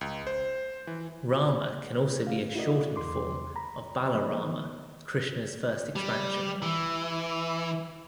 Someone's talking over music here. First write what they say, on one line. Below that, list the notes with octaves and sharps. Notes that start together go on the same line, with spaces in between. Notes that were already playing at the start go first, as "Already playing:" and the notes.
Rama can also be a shortened form of Balarama, Krishna's first expansion.
C#2
C5
E3
A3 F5
E4 F#4 A#4 D5 D#5
E2 C6 D6
A#5 B5
F3 A#3 C5 D#5 B5
D#3 E3 B3
G3
E3